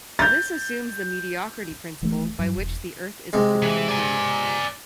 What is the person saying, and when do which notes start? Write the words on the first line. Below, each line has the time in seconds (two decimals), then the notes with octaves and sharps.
This assumes the mediocrity principle, by which the Earth is a typical planet.
0.19 G6 A6
2.02 D#1 E3 F#3 A3
2.39 G2 F#3
2.56 E1
3.33 C3 G#3
3.62 E3
3.88 D5 G#5